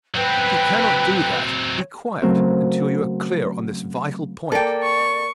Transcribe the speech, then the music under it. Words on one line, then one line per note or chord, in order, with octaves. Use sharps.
If you cannot do that, be quiet until you are clear on this vital point.
F#3 C4 B4 G5
C#3 F#3 A3 C4 A#4
A#3 A4 D5 G5
C#6